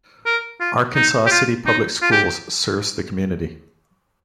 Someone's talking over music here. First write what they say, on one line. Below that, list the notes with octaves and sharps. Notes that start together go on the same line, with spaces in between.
Arkansas City Public Schools serves the community.
A#4
F4
D#4
G4
F4
D#4
F4
G4